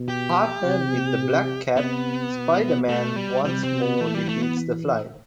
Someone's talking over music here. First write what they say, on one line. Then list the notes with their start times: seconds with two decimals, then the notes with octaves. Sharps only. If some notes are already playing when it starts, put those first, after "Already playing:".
Partnered with the Black Cat, Spider-Man once more defeats the Fly.
Already playing: B2
0.08 G4
0.64 C3
1.76 C3 B3
2.33 B2
2.88 A3
3.16 G3
3.45 C3 G3
3.63 C4
3.82 B3
4.00 E3 A3
4.15 G3
4.29 A3
4.43 B3